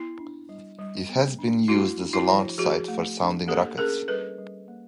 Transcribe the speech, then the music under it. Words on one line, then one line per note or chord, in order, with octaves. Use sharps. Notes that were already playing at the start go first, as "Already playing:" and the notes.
It has been used as a launch site for sounding rockets.
Already playing: B3 E4
D4
G3
G3
B3
D4
A3 E4 F#4
D4
E4 F#4
F3
F3 F#4 G#4
A3
D4
A#3 G4 A4
C#4 G#4 A#4
G3 A4 B4
G3
A#3